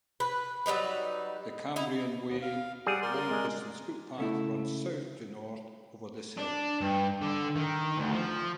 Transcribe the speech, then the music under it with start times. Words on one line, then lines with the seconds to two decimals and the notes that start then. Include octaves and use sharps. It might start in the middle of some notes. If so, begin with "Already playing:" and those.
The Cambrian Way long distance footpath runs south to north over this hill.
0.20 B4
0.66 F#3 G3 D#4 B4
1.76 D#4 E4
2.29 D#2 B3
2.42 F5
2.86 G3 G#4 F#5
3.02 A#4 D5 C6
3.31 G#3
4.18 C#3 A3 E4
6.38 D4
6.81 G2
7.22 D3
7.56 D#3
7.97 D2
8.12 F3